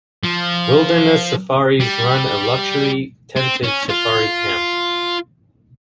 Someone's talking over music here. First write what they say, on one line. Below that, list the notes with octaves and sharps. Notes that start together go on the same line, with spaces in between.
Wilderness Safaris run a luxury tented safari camp.
F3
G3
C4
C#4
F4